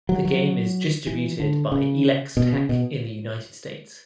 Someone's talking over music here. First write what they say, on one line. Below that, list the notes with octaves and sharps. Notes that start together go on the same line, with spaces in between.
The game is distributed by Elex Tech in the United States.
F#3
F#3
E3
D3
C#3
B2
C#3
B2